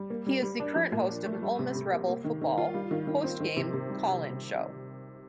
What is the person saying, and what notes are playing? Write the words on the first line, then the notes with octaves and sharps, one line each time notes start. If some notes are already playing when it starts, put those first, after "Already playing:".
He is the current host of an Ole Miss Rebel football post-game call-in show.
Already playing: G3
A#3
G3
G3
D4
F3
A#2
D4
A3
G3
C3
C3
A#3
A#3
D#3
D#3
F4
G3
D#3
D#3
C4
D#3
C3
C3
G3